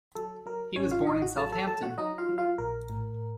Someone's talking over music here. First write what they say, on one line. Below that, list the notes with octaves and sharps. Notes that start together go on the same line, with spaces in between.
He was born in Southampton.
F#3 A4
F#3 A#4
A1 C#4 C#5
F4 F5
A1 D#4 D#5
F#4 F#5
F#3 A4 A5
A4 A5
F#3 A4 A5
F#4 F#5
F#3 D#4 D#5
F4 F5
F#3
F4 F5
A#1 A#4
A2